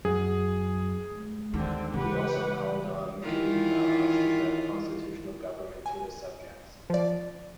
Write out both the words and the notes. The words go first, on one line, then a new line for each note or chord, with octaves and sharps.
He also called on Khedive Abbas to grant constitutional government to his subjects.
F#2 G#4
D#2 D3 D#3 C4
C#3 E3 G4 B4 F#5
D#3 E3 F4
G#5
F3 D5